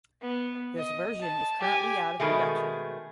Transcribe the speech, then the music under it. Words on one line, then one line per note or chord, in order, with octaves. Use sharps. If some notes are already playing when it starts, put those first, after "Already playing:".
This version is currently out of production.
B3
D#5
A5
G4 G#5
B2 D#3 G#3 A3